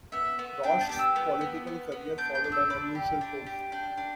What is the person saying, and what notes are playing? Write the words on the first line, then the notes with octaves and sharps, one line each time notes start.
Roch's political career followed an unusual course.
B3 E5
B3
D4 G5
A5
G4
E6
B3
B3
B3
B3
D4 G6
G6
D4
E6
D4 B5
G4
D4
G4
D4 G5
D4